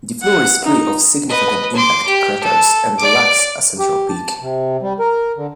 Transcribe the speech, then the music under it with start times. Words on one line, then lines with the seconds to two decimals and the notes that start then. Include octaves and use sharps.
The floor is free of significant impact craters and lacks a central peak.
0.22 F#5
0.64 D#4
1.29 B4 D#5
1.75 C6 D6
2.08 G4
2.43 A4
2.98 D5 D6
3.79 G4
4.09 A5
4.41 C3
4.82 G3
4.99 A#4
5.37 D3